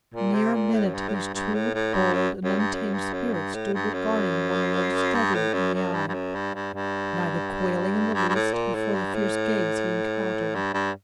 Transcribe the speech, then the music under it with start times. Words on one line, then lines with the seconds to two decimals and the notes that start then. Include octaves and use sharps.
Near a minute these two bold and untamed spirits stood regarding one another steadily in the eye, neither quailing in the least before the fierce gaze he encountered.
0.14 A#2
0.34 C3
0.54 A#2
0.74 A2
0.86 F#2
0.94 G2
1.09 A2
1.14 G2
1.34 G2
1.54 A2
1.74 A2
1.94 G2
2.13 F#2
2.44 F#2
2.59 G2
2.73 F#2
2.94 G2
3.13 F#2
3.34 G2
3.54 A2
3.74 G2
3.94 F#2
5.15 G2
5.34 A2
5.54 F#2
5.74 F#2
5.94 G2
6.08 G2
6.14 F#2
6.35 G2
6.55 G2
6.74 G2
8.14 G2
8.28 G2
8.35 A2
8.54 A#2
8.75 A2
8.94 G2
9.14 A2
10.55 G2
10.74 G2